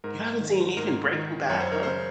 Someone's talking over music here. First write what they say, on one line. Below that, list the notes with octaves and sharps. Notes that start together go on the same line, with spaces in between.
You haven't seen even Breaking Bad, huh?
G#2 A#4
D#3
G#2 A#4
D#3
F#2 C#5
C5
A#4
C#3 C5